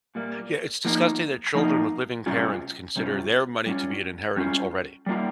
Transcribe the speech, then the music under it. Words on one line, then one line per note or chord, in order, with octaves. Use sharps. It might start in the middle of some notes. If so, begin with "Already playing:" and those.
Yeah, it's disgusting that children with living parents consider their money to be an inheritance already.
A#2 G3 A#3
F3 A#3 D#4
F3 A#3 D#4
C3 G3 C#4 F4
C3 G3 C#4 F4
G3 C#4 F4
G3 C#4 F4
G3 A#3 F4